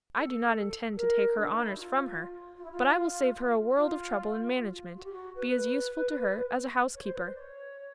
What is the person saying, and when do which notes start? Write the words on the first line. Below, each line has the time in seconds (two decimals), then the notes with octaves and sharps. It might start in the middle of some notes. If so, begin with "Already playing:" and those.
I do not intend to take her honors from her; but I will save her a world of trouble in management--be as useful to her as a housekeeper.
0.17 A4
0.96 A#4
1.37 D4
1.50 D#4
1.63 E4
1.76 F#4
1.80 F4
2.57 F4
2.64 E4
2.71 F4
3.76 F4
4.56 F#4
4.60 F4
4.96 F#4
5.04 G4
5.13 F#4
5.35 B4
6.94 C#5
7.04 C5
7.14 B4
7.24 C5
7.35 D5
7.39 C#5